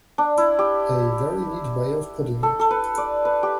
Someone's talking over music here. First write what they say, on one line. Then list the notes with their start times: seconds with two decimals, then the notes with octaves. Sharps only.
A very neat way of putting it.
0.18 D4
0.38 E4
0.59 G4
2.43 A4
2.59 A4
2.71 B4
2.98 D5
3.25 B4
3.43 G4